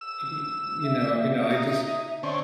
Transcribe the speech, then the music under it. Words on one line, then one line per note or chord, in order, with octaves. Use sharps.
y y you know you know, I just
E6
E5
D#4
D3 C4 C#4 C#6